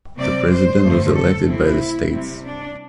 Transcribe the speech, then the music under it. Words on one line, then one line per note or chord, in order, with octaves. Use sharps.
The president was elected by the states.
C3 G3 C4 D5
C5
G2 D3 A3
A4
C3 A3 C4 E4
C3 G3 C4
D4